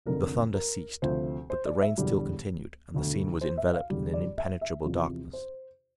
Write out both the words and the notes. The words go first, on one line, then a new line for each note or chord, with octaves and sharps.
The thunder ceased; but the rain still continued, and the scene was enveloped in an impenetrable darkness.
F1 F2 D3 A#4
A#4
D2 C3 F3 C5
C5
D5
E5
E1 E2 D3 G3
E1 D2 D3
C5
E5
F5
F1 E2 D3 G3
D5
E5
E5
E2 C3 F3
C5